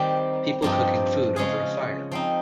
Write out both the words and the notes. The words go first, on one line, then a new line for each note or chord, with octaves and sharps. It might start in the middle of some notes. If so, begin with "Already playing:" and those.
People cooking food over a fire.
Already playing: D#3 G3 C4 G4
G2 F3 C4 D#4 G4
C#3 G#3 C#4 F4 G#4
F3 C4 D#4